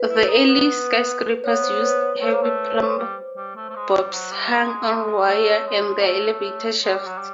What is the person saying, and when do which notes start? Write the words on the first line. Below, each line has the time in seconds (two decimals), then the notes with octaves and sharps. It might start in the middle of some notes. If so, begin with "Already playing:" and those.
The early skyscrapers used heavy plumb-bobs, hung on wire in their elevator shafts.
Already playing: B4
0.10 E4
0.29 D#4
0.48 B3
1.44 B3 C#5
1.63 C5
1.83 B4
2.01 C#5
2.21 A3 C5
2.32 A#3
2.42 A3
2.87 G#3
2.97 G3
3.37 G3
3.56 A3
3.70 A3
3.75 G#3
3.94 G3
4.13 F#3
4.32 G3
4.52 G#3
4.90 G#3
5.28 A3 C#5
5.67 G#3
6.00 A#3
6.06 A3
6.83 G#3
6.95 G3
7.07 F#3
7.18 G3